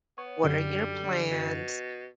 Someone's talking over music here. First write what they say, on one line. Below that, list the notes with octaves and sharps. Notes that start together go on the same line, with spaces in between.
What are your plans?
B3 C#5
F#2 D3 G3
B2